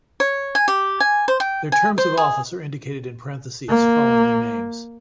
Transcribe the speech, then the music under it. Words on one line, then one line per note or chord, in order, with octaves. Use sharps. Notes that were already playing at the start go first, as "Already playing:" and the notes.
Their terms of office are indicated in parenthesis following their names.
C#5
G#5
G4
G#5
C5
G5
G#5
C5
G#4
A#3